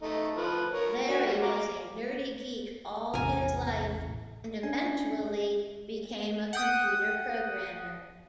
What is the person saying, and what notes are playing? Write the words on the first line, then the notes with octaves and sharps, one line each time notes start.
Larry was a nerdy geek all his life and eventually became a computer programmer.
A3 D#4
F3 B4
A#4 C#5
D4 F#4
G3 F#4
F5 A#5 D6
A1 E2 A2 C3 A#4 G#5 A#5
C#4 D4 G#5
F#5 G5 D#6